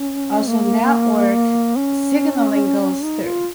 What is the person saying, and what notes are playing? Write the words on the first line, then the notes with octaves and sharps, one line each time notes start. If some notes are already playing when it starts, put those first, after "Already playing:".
Also network signaling goes through.
Already playing: C#4
A#3
C#4
D#4
F4